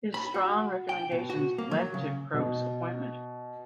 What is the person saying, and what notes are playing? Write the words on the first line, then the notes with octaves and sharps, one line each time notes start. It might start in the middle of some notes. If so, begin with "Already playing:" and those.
His strong recommendations led to Croke's appointment.
B5
F#4
G5
B2
F#4
A#3
F#3
C#3
B2